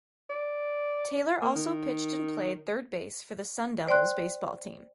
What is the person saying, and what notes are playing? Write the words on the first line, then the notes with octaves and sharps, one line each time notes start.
Taylor also pitched and played third base for the Sun Devils baseball team.
D5
A#3
D#3
C5 D5 G5 C6 F#6